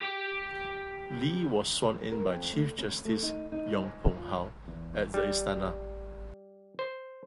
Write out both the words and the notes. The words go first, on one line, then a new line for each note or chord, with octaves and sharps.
Lee was sworn in by Chief Justice Yong Pung How at the Istana.
G4 G5
A#4
F2
A3
C#4
A3
D#4
D#4
G#2
F4
E2
G3
C5